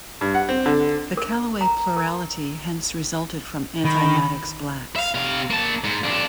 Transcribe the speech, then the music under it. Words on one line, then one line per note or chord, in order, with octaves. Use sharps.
The Callaway plurality hence resulted from anti-Maddox blacks.
G2
F#5
C4
D3
A#4
A#5
A#4
D#3 B5
E5 F5
C3 F5
A#3 A5
G#2
F2 D4